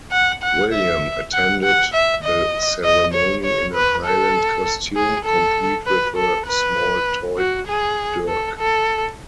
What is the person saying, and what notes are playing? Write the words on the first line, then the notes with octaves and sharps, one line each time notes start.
William attended the ceremony in a Highland costume, complete with a small toy dirk.
F#5
F#5
E5
F#5
F#5
E5
D#5
D#5
C#5
C#5
B4
A4
G#4
A4
B4
A4
B4
F#4
G#4
A4
A4